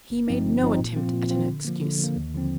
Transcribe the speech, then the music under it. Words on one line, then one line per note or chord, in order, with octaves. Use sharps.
He made no attempt at an excuse.
G1
G2 F3 C4 D#4
G1
G2 F3 C4 D#4
A#2
F3 C4 F4
A#2
F3 C4 F4
D3
F3 A#3
D3
F3 A#3
D#2
D3 F3 C4